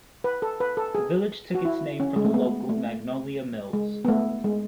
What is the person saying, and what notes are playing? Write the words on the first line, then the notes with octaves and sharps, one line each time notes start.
The village took its name from the local Magnolia Mills.
B4
A4
B4
A4
G#4
F#4
E4
C#4
G#3
A3
B3
A3
G#3
B3
A3
G#3